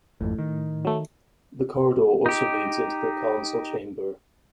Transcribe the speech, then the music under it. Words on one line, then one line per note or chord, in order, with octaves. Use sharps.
The corridor also leads into the Council Chamber.
G#1 F2 A2
D#3
F#3 A3
D#4 G4